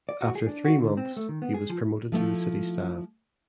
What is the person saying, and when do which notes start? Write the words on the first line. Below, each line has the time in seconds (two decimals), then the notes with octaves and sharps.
After three months he was promoted to the city staff.
0.09 D5
0.21 F#4
0.35 G#4
0.48 D4
0.65 F#4
0.79 D3
0.97 C4
1.17 A3
1.29 D#3
1.42 B3
1.54 G#4
1.70 F3
2.12 F3 A3 E4 F4